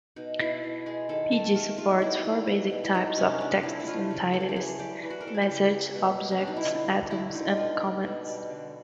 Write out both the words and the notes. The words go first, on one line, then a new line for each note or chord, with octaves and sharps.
Pd supports four basic types of text entities: messages, objects, atoms, and comments.
B2 D#4
B2 E4
B2
G#3 G#4
D#3 A4
D#3 A4
A3 A#4
D#3 F4
B3 E4
G3
B3
B2
E4
F3 D#4
C3 C#4
F3 D4
F3 E4
E4
A3 F4
C#3
E3 A4
G#4
G4
A3 G#4
G3 G4
E3
F#4
A#4
E3 A4
G#4
G4
C#3
F#3
B2
A#3
C#4
B2 D4
D#4
E4
D3 F4
F#3 F#4
D3 E4
D3 D#4
B2 F4
G3
B2
G3
D3